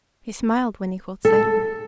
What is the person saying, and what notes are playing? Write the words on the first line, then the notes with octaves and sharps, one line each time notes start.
He smiled when he caught sight of her.
A4